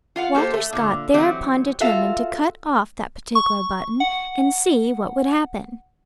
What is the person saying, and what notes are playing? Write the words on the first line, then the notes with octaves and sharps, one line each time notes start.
Walter Scott thereupon determined to cut off that particular button, and see what would happen.
F4 F5 F#5
A#3 G4 A4 C5
A3
A#2 D3
E3 F#3 C4 G4
F4 F#4 A4 E5 F5
C#6
F#5